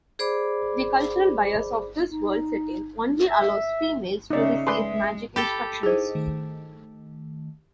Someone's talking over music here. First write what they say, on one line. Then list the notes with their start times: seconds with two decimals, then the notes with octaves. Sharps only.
The cultural bias of this world setting only allows females to receive magic instructions.
0.19 G#4 C5 D5 B5 D6
2.09 D#4
3.29 E5
4.30 C#3 C#4 D#4 D5 E5
4.67 G#3 G#4 B4 D5 C6
5.36 G4 A4 G5 B5
5.83 D#4 E4 G#4 C5 D#5
6.15 D#3 A3